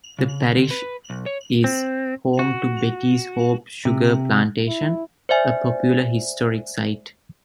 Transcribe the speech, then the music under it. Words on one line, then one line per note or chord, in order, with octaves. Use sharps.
The parish is home to Betty's Hope Sugar Plantation, a popular historic site.
C#3
D3
B4
B1
C#5
C4
F#4
C3
E4
C5 D5 E5 G#5